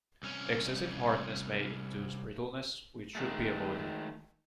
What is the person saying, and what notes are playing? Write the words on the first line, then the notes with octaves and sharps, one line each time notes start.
Excessive hardness may induce brittleness, which should be avoided.
C2 C#4
D#3 G#3 A3